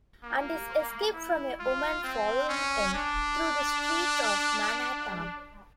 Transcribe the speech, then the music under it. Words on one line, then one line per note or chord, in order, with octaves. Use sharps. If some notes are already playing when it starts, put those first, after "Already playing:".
And his escape from a women following him through the streets of Manhattan.
A#3
E4
F4
C4
C#4
D4